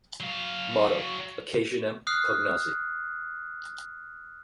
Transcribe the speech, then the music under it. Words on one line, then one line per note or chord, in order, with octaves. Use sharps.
Motto: Occasionem Cognosce.
F#3 F5
D#6 F6 F#6 C7